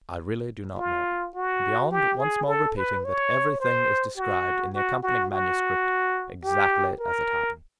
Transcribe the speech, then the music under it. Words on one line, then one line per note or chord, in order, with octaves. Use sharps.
I really do not know beyond once more repeating that everything is described in the accompanying manuscript exactly as it happened.
F4
F#4
G4
G#4
A4
B4
C#5
C5
F#4
F#4
F#4
F#4
G4
A#4